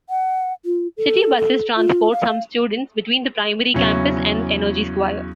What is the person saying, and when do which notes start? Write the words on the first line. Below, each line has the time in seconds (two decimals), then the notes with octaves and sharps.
City buses transport some students between the primary campus and Energy Square.
0.10 F#5
0.66 F4
0.97 A4
1.37 A4
1.76 F4
2.12 F5
3.74 E2 C#3 F#3 C#4 E4